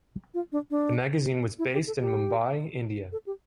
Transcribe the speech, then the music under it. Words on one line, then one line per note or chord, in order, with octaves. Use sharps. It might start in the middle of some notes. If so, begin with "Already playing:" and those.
The magazine was based in Mumbai, India.
F4
D4
D4
E4
G4
A4
G4
A4
G4